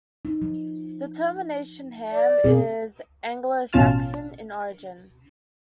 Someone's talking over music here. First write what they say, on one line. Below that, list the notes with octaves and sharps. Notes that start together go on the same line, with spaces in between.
The termination "-ham" is Anglo-Saxon in origin.
D#4
F3
D5
B2 C4 G#4
A1 B2 C#4 F4 A5 F6